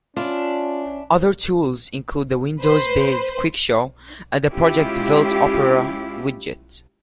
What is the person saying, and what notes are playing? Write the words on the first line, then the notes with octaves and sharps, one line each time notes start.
Other tools include the Windows-based QuickShow, and the Project Velt Opera widget.
C#4 D4 E4 F4
B4 C5
G#3 C#4 E4 F4 G4